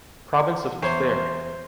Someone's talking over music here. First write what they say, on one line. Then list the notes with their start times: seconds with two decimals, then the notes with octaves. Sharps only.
Province of Tver’.
0.82 E2 C5 C#5